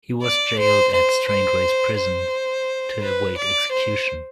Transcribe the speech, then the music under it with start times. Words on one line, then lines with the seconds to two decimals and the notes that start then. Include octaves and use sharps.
He was jailed at Strangeways Prison to await execution.
0.23 D5
0.58 C5
0.93 C5
1.28 C5
1.97 C5
3.02 B4
3.37 D5
3.72 C5